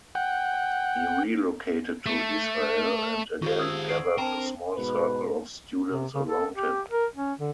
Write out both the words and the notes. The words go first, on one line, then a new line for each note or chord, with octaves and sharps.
He relocated to Israel, and again gathered a small circle of students around him.
F#5 G5
A3
D#3 F4 G4 G#4 C5 F5
D#6 E6 G#6
F#5 C#6 C7 D7
C4 D4 A#4 C5 G5 A5
G#2 B2 B4
C3
C#3
A4
G4
A#4
C#4
D3